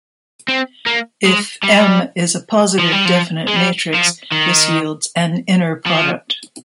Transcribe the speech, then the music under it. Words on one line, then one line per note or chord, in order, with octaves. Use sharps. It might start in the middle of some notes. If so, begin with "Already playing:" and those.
If "M" is a positive definite matrix, this yields an inner product.
C4
A#3
G#3
G3
F3
G3
F3
G#3
G3
F3
D#3
F3